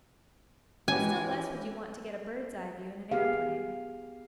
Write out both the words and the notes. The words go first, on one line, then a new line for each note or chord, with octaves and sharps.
And still less would you want to get a bird's-eye view in an aeroplane.
E3 G#3 C#4 F#4 G4 G#5
B3 G4 G#4 F5